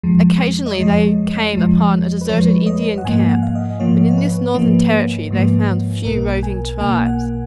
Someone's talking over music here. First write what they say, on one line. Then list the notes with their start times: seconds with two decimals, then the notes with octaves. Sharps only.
Occasionally they came upon a deserted Indian camp, but in this northern territory they found few roving tribes.
0.03 F2 F3 G#3
0.66 D#5
0.78 F2 F3 G#3 C#5
1.53 F2 F3 G#3
2.21 B4
2.29 F2 F3 G#3 C#5
2.67 D#5
2.98 F#5
3.04 G#2 F3 A#3 G#5
3.29 F#5
3.43 F5
3.55 D#5
3.80 G#2 F3 A#3 C#5
4.11 C#5
4.18 B4
4.54 G#2 F3 A#3
5.31 G#2 F3 A#3
6.05 B1 B2 A#3 A#4
6.43 G#5
6.81 B1 B2 A#3 G#5
7.06 F#5